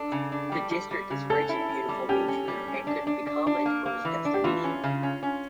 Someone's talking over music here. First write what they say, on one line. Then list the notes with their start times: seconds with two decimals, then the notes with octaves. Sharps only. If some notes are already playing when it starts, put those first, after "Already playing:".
The district is rich in beautiful nature and could become a tourist destination.
Already playing: D4 A4
0.12 C#3
0.32 D4
0.52 G3
0.71 G3
0.91 G3
1.10 C#3
1.30 C#4 A4
1.49 E4
1.69 C#4
1.89 G3
2.09 C#4 G4
2.28 C#4
2.48 G3
2.68 C#4
2.87 D4
3.07 D4
3.27 D4
3.47 D4
3.66 A#3
3.86 A#3
4.05 E3
4.25 D4
4.34 G4
4.44 E3 F4
4.64 C#4
4.84 C#3
5.03 C#4
5.23 C#4